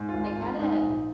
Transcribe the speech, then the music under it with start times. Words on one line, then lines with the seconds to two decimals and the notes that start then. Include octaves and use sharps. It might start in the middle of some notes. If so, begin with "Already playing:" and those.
I get it.
Already playing: G#2
0.09 G#1 F4
0.25 F4
0.36 G#1
0.43 F4
0.59 G#2 D#4
0.81 A#1